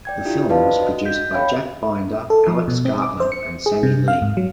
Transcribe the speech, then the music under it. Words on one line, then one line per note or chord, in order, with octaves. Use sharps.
The film was produced by Jack Binder, Alex Gartner and Sammy Lee.
D5 G5 G#6
D4 E4 F4 G4
B4 C5 D5 D#5 F5 A5
D4 F#4 D#5
G6 B6
C#5 F5 G5 B5
A4
F3
B2
C4
D6
C5
C#7
G#4
C3
F5
G#2
F#3